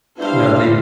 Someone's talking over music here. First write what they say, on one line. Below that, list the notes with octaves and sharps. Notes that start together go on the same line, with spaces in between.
No, the
G3 B3 D4 E4 C5 F5